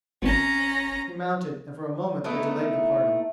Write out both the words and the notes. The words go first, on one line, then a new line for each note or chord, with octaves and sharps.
He mounted and for a moment they delayed the parting.
G#1 C#4 A#5
A3 B3 D#4 E4